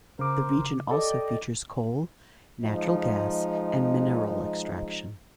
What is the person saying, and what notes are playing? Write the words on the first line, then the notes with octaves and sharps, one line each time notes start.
The region also features coal, natural gas, and mineral extraction.
C#3 A#4 C5 D6
G4 A4 D5 D#5
F3 G#3 D#4